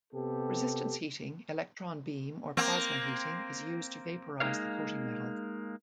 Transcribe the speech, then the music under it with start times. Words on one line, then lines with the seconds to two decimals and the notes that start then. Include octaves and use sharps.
Resistance heating, electron beam, or plasma heating is used to vaporize the coating metal.
0.13 C3 B3 G4 A4
2.57 A#3 C4
4.40 G#3 A#3 D#4 A#4 C#5 F5